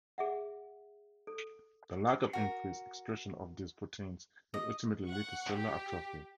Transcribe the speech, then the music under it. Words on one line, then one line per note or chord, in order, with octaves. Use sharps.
The lack of increased expression of these proteins will ultimately lead to cellular atrophy.
G#4 E5 F#5
A4
F#4 A#4
D#5
F#5 C#6
G4